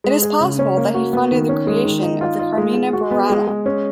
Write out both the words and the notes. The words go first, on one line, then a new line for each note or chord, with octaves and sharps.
It is possible that he funded the creation of the "Carmina Burana".
G#3
G#4
C#3
C#4
A#3
F#4
B3
D#3
C#4
G#3
D#3
D#4
F4
F4
G#3
G#3
F#4
B3
G#3
G#3
C#4